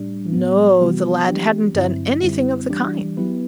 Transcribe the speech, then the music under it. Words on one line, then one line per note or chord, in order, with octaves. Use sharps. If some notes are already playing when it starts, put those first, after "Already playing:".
No, the lad hadn't done anything of the kind.
Already playing: A2 G3 D4
A2 F#3 B3
C3 E3 G3 B3 F#4
E3 B3 D4 G4
G2 D3 F#3 C4 E4
F#2 D3 G3 C4 E4
E3 G3 D4 G4 D5
F#3 B3 E4 G4 B4